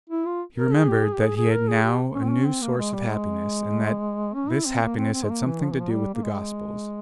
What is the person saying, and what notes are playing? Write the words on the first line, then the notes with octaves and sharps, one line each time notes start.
He remembered that he had now a new source of happiness and that this happiness had something to do with the Gospels.
E4
F4
A#4
G#4
G4
G#4
G4
G#4
G#4
A#4
G#4
G4
C#4
C4
C#4
C4
A#3
G#3
G3
G#3
C#4
E4
C4
A#3
C4
C4
G#3
A#3
E3
F3
E3
F3
G3
A#3
G#3